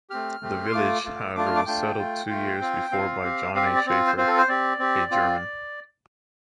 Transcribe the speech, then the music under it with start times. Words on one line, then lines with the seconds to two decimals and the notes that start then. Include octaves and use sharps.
The village, however was settled two years before by John A. Shaeffer, a German.
0.10 A3 C4 G4 F6
0.41 A3 C4 G4
0.66 C6
0.73 A3 F4 D6
1.04 A3 F4
1.35 A3 D4 F4 D6
1.46 F6
1.56 D6
1.67 A3 D4 F4 G5
1.98 A3 F4
2.30 A3 F4
2.61 C4 F4
2.92 C4 F4 F5
3.23 C4 G4
3.54 C4 G4 F5
3.65 D5
3.75 D5
3.86 C4 F4
4.07 C5
4.17 C4 F4 C5
4.27 A4
4.38 C5
4.48 C4 G4 D5
4.79 C4 G4
5.11 C4 F4